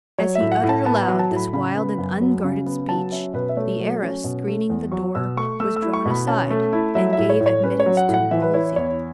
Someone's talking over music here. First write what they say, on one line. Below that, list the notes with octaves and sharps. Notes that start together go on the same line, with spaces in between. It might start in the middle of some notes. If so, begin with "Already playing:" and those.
As he uttered aloud this wild and unguarded speech, the arras screening the door was drawn aside, and gave admittance to Wolsey.
F#3 C#5
E5
A2
F#5
A2
A5
B3 A5
F#5
F#3
A5
A2
B5
C#3 B5
B3
F#2
F#3
C#3
B3
F#3 A5
C#4 E5
B2 B4
E5
A3 C#5
F#3
C#4
B2
A3
E2
F#3 C#6
B2 E6
A3 C#6
A3 E6
E6
E4
C#6
B2
B5
C#4 A5
A3
E4
F#3 E5
E5
A2
C#5
A2
C#5
C#4 B4
C#5
F#3
F#5
A2
F#5
E3 E5
B4
E4 C#5
E2 C#5